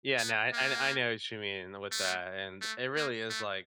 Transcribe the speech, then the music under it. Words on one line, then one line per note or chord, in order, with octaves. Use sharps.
Yeah. No. I I know what you mean with that, and it really is, like,
B3
A#3
A3
A3
A#3
A3